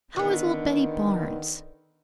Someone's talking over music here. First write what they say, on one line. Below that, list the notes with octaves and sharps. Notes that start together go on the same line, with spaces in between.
'How is old Betty Barnes?'
D3 D#3 B3